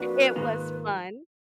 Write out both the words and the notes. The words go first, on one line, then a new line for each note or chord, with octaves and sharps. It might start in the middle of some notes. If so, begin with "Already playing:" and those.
it was fun.
Already playing: F2 F3 A#3 D4 F#4 B4
G#2 D#3 A#3 F4